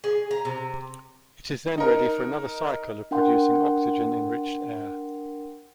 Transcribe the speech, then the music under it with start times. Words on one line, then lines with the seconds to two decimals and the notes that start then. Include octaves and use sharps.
It is then ready for another cycle of producing oxygen-enriched air.
0.04 G#4
0.31 A#5
0.45 C3
1.78 D#4 A#4
3.11 D4 A#4 F#5 G5 C6